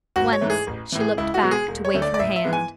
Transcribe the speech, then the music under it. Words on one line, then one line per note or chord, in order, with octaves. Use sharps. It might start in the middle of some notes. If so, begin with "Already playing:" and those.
Once she looked back to wave her hand.
G#1 F#4
C#5
G#2 E3 A3
G#4
A1
A2 E3
G#4
C#2 E4
F#4
B2 G#3 B3
G#4
E1
C#5
D2 D3 A3
D5
D5
A1 E5
E5
G#2 E3 G#3 B3
G#5